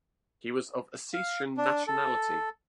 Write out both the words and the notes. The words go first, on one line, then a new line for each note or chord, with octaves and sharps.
He was of Ossetian nationality.
F5
D4
A4